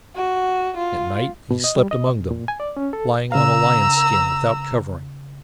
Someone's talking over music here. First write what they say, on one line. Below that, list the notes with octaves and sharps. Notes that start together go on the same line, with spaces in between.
At night he slept among them, lying on a lion skin without covering.
F#4
F4
B2
D#5
G3
D#5
B2
A#2
G#5
D5
C#4
A4
C#3 F5 A#5 E6